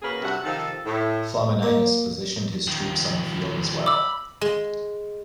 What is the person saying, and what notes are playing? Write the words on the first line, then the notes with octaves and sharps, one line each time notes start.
Flamininus positioned his troops on the field as well.
C#3 A#3 F#4 G#4 A#4 B4
G2 C3 F#3 E5 F#5
C3 D#3 F3 A4
A2
A#3
D#3 F3
B5 D6 E6
G#3